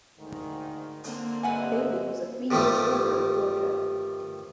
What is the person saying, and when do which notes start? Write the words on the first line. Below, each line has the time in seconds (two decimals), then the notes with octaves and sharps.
Bailey was a three-year starter at Georgia.
0.18 D2 G#2 D#3
1.04 D3 A#3 C4
1.43 G2 B4 D#5 E5 F#5 G#5
2.51 G2 D#3 F3 G3 A3